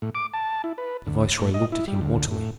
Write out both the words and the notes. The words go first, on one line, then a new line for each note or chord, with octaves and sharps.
The viceroy looked at him haughtily.
A2
D6
A5
E4
B4
D2
A2
D#5
E4
G3
D2
A2